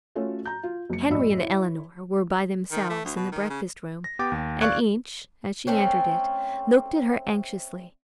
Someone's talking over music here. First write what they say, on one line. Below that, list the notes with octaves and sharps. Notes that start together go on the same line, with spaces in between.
Henry and Eleanor were by themselves in the breakfast-room; and each, as she entered it, looked at her anxiously.
A3 C#4 F4 F#4 A4 C#5
A#5 G6
F4
F#1 C#7
A1 F#2 D5 D#5 B5 E6
E4 C#5
D#3
A3
D2
B2
D#3
C#3
A#6
B3 G4 G5 D6 A6
D#2
D5 F5 C#6 F#6 G#6
A3 C4 C#4